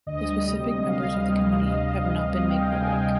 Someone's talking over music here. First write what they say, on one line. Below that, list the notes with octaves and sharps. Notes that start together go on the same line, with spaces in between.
The specific members of the committee have not been made public.
D2 D#5
G3
C3
D2
D2 F5
G3
C3
D2
D2
G3
C3
D2
D2 G5
G3 G#5
C3 G5